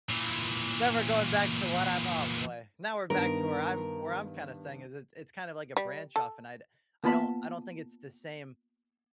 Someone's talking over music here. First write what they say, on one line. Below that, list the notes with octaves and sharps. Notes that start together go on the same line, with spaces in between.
then we're going back to what I've Oh, boy, now we're back to where I'm where I'm kinda saying is it's it's kind of like a branch off, and I d I don't I don't think it's the same,
A#2 E3
G2 D#3 B3 A#4
G3
A4
A#3 B3 F4 A5 B5